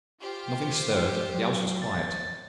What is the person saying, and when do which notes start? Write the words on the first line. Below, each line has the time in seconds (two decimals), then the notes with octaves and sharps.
Nothing stirred--the house was quiet.
0.22 F4 G4 C5
1.34 F#3
1.82 A6